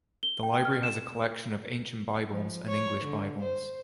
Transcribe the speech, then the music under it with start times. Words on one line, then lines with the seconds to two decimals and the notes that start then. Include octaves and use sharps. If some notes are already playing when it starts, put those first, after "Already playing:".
The library has a collection of ancient Bibles and English Bibles.
0.23 G7
0.43 G5
0.65 F6
0.83 E7
2.30 F3
2.68 C#5
3.04 D3
3.42 C5